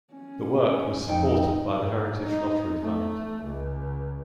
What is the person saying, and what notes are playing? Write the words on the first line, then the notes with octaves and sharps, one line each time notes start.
The work was supported by the Heritage Lottery Fund.
C#4
F2 D#4 G5
G#2
D#4
A3
C#2